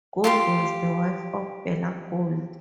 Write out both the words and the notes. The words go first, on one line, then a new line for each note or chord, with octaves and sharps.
Gold was the wife of Bela Gold.
F4 G4 C6